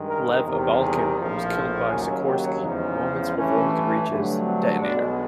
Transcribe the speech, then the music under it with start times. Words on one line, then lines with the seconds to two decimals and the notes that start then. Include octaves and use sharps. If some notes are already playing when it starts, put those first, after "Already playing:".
Lev Abalkin was killed by Sikorski moments before he could reach his "detonator".
Already playing: G2 D#3 G#3
0.09 A#4
0.45 E2 C3 D#3 G3 A#4
0.81 G#4
1.18 A#1 A2 F3
1.55 A4
1.90 D#2 C#3 F#3 G#4
2.26 G4
2.63 E2 C#3 F3 G#3 D#4
3.35 G2 E3 A3 C#4
4.08 G2 D3 F#3 A3
4.44 C4
4.80 B1 B2 G#3 D4